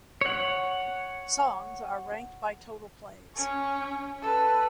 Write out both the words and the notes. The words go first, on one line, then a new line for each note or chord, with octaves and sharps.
Songs are ranked by total plays.
C#5 F#5
C#4 C#6
A4 B4